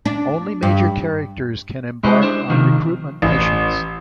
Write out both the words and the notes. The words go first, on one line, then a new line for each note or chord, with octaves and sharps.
Only major characters can embark on recruitment missions.
D4
G2
G#3 E4 F#4 G4 C5 D#5
D4 C5 E5
C3 D#3 F3 A#3
A1